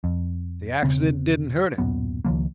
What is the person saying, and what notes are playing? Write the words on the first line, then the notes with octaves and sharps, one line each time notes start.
The accident didn't hurt him.
F2
E1 C#3 C4
D1 F#2 A#2 B3
C#2 D#3 F3 A#3